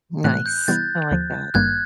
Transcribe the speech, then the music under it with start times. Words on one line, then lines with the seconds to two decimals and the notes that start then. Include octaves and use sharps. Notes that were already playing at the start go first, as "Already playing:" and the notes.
Nice, I like that.
0.24 A2 E3 A3 C4 F#6
0.46 G6
0.67 C3 E3 G3 B3 E4 G6 A6
1.11 D#2 D3 F3
1.54 G#1 G2 D#3 G3 A#3 F#6 G#6